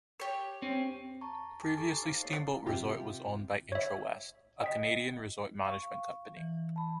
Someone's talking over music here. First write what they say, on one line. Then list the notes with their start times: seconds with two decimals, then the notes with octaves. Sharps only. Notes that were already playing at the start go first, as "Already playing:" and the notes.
Previously Steamboat Resort was owned by Intrawest, a Canadian resort management company.
0.20 G4 C#5
0.62 C4 C#4
1.21 A5 A#5 C#6
1.62 G#5 A5 D6 A6 C7
1.77 G4 A4 A#5 C#6 D6
2.02 D#4 C5 F5
2.23 A#3 C#5 A6 C7
2.66 C3 F4 G4
3.72 C#5 E5
4.62 D#5 G5 B6
5.65 F5 C#6
6.37 E3
6.76 A5 B5